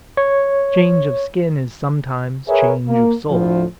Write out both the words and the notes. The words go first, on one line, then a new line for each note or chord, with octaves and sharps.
Change of skin is sometimes change of soul.
C#5
G#4 A#4 B4 C#5 E5
A#3
D2 A2 F3